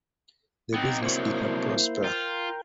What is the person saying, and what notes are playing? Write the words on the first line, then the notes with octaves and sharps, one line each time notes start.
The business did not prosper.
B3 C4 D#4
C2 F#3 A#3 E4 C5
F4 A#4 G5